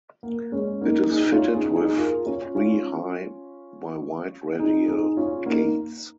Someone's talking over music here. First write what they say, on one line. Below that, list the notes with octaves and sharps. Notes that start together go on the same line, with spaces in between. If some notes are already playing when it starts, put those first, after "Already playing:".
It is fitted with three high by wide radial gates.
A#3
G#3 C#4
A#3 D#4
D#4 G#4
D#4
C#4 F4
D#4 G#4
D#4 G#4
F4 A#4
C#4 F4
C#4 F4
D#4 G#4
D#4 G#4
C#4 F4
A#3 D#4